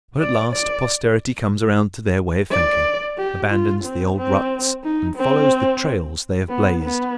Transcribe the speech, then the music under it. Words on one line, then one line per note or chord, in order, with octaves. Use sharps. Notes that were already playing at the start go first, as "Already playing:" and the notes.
But at last posterity comes around to their way of thinking, abandons the old ruts and follows the trails they have blazed.
D5
D5
D5
G4
F4
C4
C4
D#4
C4
B3
B3